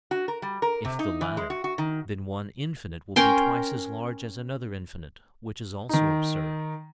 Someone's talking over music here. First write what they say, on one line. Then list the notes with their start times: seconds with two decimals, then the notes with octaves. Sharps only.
If the latter, then one infinite will be twice as large as another infinite, which is also absurd.
0.11 F#4
0.28 A#4
0.42 G3
0.62 A#4
0.85 C3
0.99 D#4
1.21 E3
1.37 G#3
1.50 F#4
1.64 F#4
1.78 D#3
3.16 C#4 A#4 G5 C6
5.89 D#3 D#4